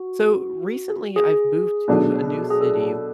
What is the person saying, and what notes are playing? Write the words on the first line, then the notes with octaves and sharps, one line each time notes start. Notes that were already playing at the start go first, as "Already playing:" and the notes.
So, recently I've moved to a new city,
Already playing: F#4
G#4
B2 F#3 A3 D4 F#4
G#4
A4